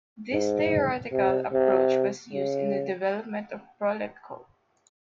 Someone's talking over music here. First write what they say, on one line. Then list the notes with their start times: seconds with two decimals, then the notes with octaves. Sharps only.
This theoretical approach was used in the development of Proletkult.
0.33 G#2
1.13 C3
1.53 C3
2.33 C#3